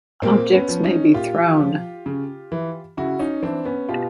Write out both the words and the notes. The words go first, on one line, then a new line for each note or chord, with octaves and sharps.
Objects may be thrown.
A#2 A#3 C4
B3 C#4
F3
C#4 D#4
A#2 F4 G4
F3
C#3
E3
C#3 E4 F#4
C#4 D#4
E3 C4 D4
B3 C#4
B2 F4 G4